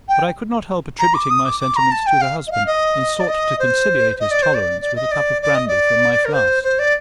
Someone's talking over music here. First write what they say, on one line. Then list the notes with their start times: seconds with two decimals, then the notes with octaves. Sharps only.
But I could not help attributing my sentiments to the husband, and sought to conciliate his tolerance with a cup of brandy from my flask.
0.08 G5
0.99 A#5
1.14 D6
1.30 D#6
1.44 D6
1.60 D6
1.76 A#5
1.91 A5
2.06 G5
2.21 F5
2.47 D#5
2.51 F5
2.66 D#5
3.20 D5
3.28 D#5
3.59 C5
4.20 D#5
4.31 D5
4.42 C5
4.54 D5
4.81 D5
4.95 D#5
5.11 D5
5.42 D5
5.55 D#5
5.68 D5
6.25 A#4
6.33 C5
6.63 C5
6.79 D5